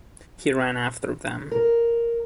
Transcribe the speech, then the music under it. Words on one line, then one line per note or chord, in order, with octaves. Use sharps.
He ran after them.
A#4